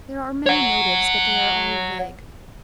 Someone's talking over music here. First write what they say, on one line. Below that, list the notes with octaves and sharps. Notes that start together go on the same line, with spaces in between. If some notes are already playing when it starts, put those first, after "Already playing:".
There are many motives, but they are all vague.
C#5 F#5